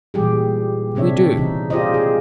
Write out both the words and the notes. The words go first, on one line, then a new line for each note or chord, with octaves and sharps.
"We do."
A#2 E3 G3 G4 G#4
C3 C4 D4 C#5 E5
C#3 E3 D#4
F4 G4 G#4 C5 D5 D#5
G#4